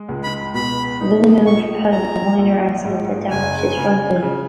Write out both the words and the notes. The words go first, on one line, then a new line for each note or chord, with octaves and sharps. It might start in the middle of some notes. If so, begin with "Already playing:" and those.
Villeneuve had a minor accident that damaged his front wing.
Already playing: G#3
C#2
B5
B2 B5
D#4
A#1 C#6
A#1 A#5
A#1
G#2
F#1 G#5
C#3
C#3